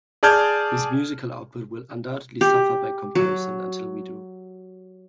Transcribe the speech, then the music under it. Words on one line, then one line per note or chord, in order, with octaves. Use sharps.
His musical output will undoubtedly suffer by comparison until we do.
G#4 D5 A5 F6 G6 G#6
G4
F#3